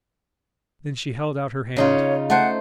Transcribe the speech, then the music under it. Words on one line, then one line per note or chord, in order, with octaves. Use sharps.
Then she held out her hand.
C#3 D#4 F4 C#5
A3 C5 F#5